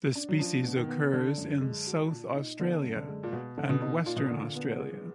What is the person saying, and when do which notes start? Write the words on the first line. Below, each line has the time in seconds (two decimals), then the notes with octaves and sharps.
The species occurs in South Australia and Western Australia.
0.15 D4
0.29 F#3
0.39 F3 D4
0.64 B2
0.77 D#3
0.89 B3
1.12 D3 D4
1.38 F#2
1.61 G#3
1.87 F#4
2.11 A#2
2.34 D#4
2.59 D3 B3
2.84 F#2
2.96 D3
3.08 G#3
3.23 A#2
3.32 B2 F#4
3.57 D3
3.69 B2
3.82 D#4
4.06 A#2 F4
4.16 B2
4.27 A#2 D3
4.55 B3
4.79 G#4